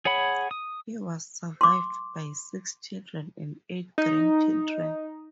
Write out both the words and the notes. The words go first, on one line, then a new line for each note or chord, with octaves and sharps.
He was survived by six children and eight grandchildren.
G#4 C#5 F#5 B5
D#6
C6 D6
D#4